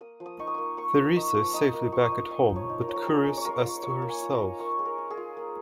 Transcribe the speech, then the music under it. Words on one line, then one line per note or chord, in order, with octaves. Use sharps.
Theresa is safely back at home, but curious as to herself.
A#3 D#6
F3
D#6
D#4 C#6
D#6
A#3 C#6
A#3 C#6
F3
D#4 C#6
F3
D#4 D#6
A#3
F3 C#6
D#6
D#4 C#6
D#4 D#6
F3
C#5
D#4
A#4
F3 C#5
A#4
C#4 G#4
F4
C#5
F4 A#4
F4
A#3 C#5
A#3
G#5
F4
A#5
A#3
A#3 C#6
F4 G#4
A#4
F4
G#4
F4
A#3